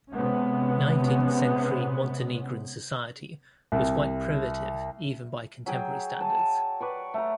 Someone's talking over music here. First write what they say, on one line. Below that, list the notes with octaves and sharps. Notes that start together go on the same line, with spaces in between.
Nineteenth-century Montenegrin society was quite primitive even by contemporary standards.
C3 G#3 B3 C#4
C2
F#3 G#4 G5
A5
B4 D5 C#6
A3 A#5